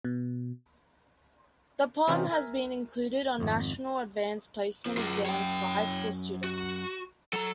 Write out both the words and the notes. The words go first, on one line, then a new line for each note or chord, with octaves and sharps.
The poem has been included on national Advance Placement exams for high school students.
B2
C3 E3 C#4 D#4 F4 G4
A#4 E5 G#5
G#1 F2
F3 C4
F#2 F4 G#4
C#5 G5
F#4
F#3 A4 A#5